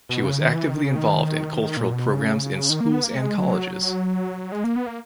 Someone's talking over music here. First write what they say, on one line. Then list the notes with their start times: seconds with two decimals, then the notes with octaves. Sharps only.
She was actively involved in cultural programmes in Schools and Colleges.
0.09 B2
0.24 C#3
0.41 D#3
0.55 E3
0.70 D#3
0.83 C#3
0.96 D#3
1.77 A#2
1.93 B2
2.08 C#3
2.70 D#3
2.81 A#3
2.92 B3
3.04 A#3
3.15 G#3
3.37 F#3
4.52 G#3
4.64 A#3
4.76 B3
4.87 A#3